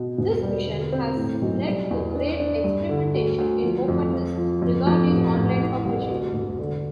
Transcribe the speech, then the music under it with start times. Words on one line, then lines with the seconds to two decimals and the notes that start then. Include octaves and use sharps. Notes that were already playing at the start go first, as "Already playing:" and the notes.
This mission has led to great experimentation in openness regarding online publishing.
Already playing: B2
0.18 E1
0.42 G3
0.67 D3
0.92 C4
1.17 A2
1.42 B1
1.67 G3
1.91 E2
2.15 D4
2.40 D4
2.64 G2
2.89 D3
3.14 D2
3.38 D2
3.63 F3
3.88 F2
4.13 F3
4.38 F3
4.62 F2
4.87 F2
5.11 A1
5.36 A1
5.60 E3
5.85 C2
6.10 D2
6.34 E1
6.59 D3